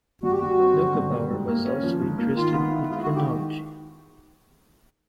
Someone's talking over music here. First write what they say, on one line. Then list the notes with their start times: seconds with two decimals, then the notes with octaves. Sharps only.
Neugebauer was also interested in chronology.
0.23 G2 F#4
0.32 G4
0.39 G3 F#4
0.60 C4
0.77 D3
0.95 G2
1.12 G3
1.30 G#2
1.48 A#3
1.65 C#4
1.83 F3
2.01 G#2
2.18 A#3
2.36 D#3 F4
2.53 B3
2.71 E4
2.89 G#3 F4
3.02 F#4
3.07 D#3
3.16 G4